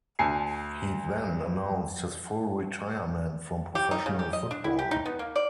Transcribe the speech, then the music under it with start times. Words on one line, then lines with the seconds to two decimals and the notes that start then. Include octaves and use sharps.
He then announced his full retirement from professional football.
0.19 D2 G#5 A5 C7
3.75 G4
3.91 D#4
4.06 C#3
4.19 G4
4.33 D#5
4.51 D4
4.64 E4
4.79 G4
4.91 D#4
5.06 B3
5.19 A#3
5.36 D5